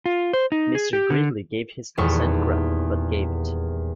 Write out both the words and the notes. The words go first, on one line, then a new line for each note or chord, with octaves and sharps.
Mr. Gridley gave his consent gruff — but gave it.
F4
C5
D#4
G#4
G4
D3
D#1 E2 C#6